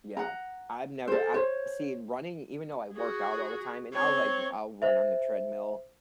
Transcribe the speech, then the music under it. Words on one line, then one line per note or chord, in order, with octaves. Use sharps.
Yeah, I've never I've seen running even though I work out all the time, and I'll, like, I'll run on the treadmill,
F#5 A#5
A4 C5
C5 C#5
F#4 G#4
C4 C#5
C5 E5